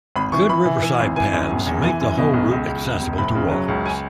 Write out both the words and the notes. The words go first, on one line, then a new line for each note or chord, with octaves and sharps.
Good riverside paths make the whole route accessible to walkers.
G#1 B5
E3 C#6
E3 B5
E3
E3
G#1
E3 G#5
F#2
E1
E2
E3 G#5
F#2
B2
B1
C#2
C#2
E1
E1
F#1 B5
C#3
F#3
C#2
G#5